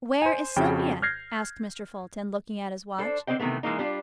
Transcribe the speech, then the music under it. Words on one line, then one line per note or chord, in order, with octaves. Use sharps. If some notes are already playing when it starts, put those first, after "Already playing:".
"Where is Sylvia?" asked Mr. Fulton, looking at his watch.
C5 G#5
F2 C#3 F#4 G5
F6 G6 G#6 A#6 C7
D4 A4 C5
D3 C4 C5 D#5 G5
C3 D#3 E3 A3 B3
E3 G#3 A#3 D#4
G3 D4 F4